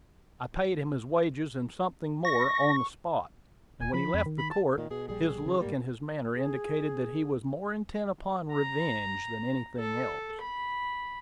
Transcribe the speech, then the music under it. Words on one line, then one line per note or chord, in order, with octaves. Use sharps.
I paid him his wages, and something more, on the spot; and when he left the court, his look and his manner indicated that he was more intent upon revenge than anything else.
C#6 A#6
E1 G#5
F3 B5
F2
D#3
B5
A5
A#2 D#3
B2 G#4
A#1 G3 G#4
C#3 E3
G#2 G3 A#3
G#4
A#5
A4
B5